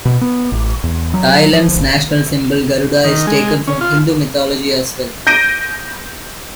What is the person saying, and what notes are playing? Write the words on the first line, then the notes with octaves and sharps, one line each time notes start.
Thailand's national symbol Garuda is taken from Hindu mythology as well.
B2
B3
A1
E2
F#3
F3
G#1
D#3
G#3
C#4
F4
G6 A#6 D7 D#7